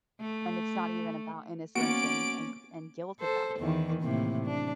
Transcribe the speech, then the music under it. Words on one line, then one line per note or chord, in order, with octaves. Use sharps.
And it's not even about innocence and and cr and guilt at that point,
A3
F3 A#3 B3 C#4 F#4 D5 D7
A4 C5
E2 D#3 E3
A2 C3 A#3
D4